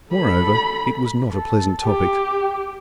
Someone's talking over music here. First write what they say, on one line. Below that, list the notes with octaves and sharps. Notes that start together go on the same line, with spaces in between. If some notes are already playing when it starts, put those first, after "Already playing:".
Moreover, it was not a pleasant topic.
A4 B5
A4
G4